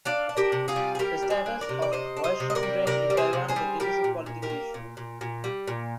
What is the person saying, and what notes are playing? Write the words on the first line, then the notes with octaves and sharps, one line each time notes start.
The status of "waishengren" in Taiwan is a divisive political issue.
D4 D5 F5
D4
G4 A#4
C3
F4 G#4
G3
G#4
G3 G4 A#4
D4
G#4 C5
D4
A#4 D5
C3
D5
C3 C5 D#5
D4
C5 D#5
C3
D#5
A#4 D5
G3
C3 A#4 D5
G3
G#4 C5
C3
G#4 C5
G3
G3 G4 A#4
A#2
A#2
G4 A#4
A#3
A#2
A#2
A#2
G3
A#2